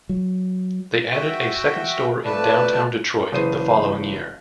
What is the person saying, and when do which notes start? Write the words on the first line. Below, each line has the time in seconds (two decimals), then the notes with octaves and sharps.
They added a second store in downtown Detroit the following year.
0.09 F#3
1.12 F#4 E5 G5
2.25 F2 A3 B4 D5 A5
3.32 F#1 E3 G#4 C5 D#7